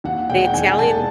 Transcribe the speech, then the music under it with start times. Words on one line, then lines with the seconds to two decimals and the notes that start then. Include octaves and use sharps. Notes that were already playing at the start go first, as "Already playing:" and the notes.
The Italian
0.04 D#2 F#5
0.29 E1 G5
0.37 F#5
0.44 G5
0.53 D#3 G#5
0.78 E1 A5